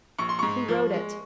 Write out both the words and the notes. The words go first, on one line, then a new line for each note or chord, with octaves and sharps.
"Who wrote it?"
A#1 C#6
C6
G#2 C#6
F3
G#3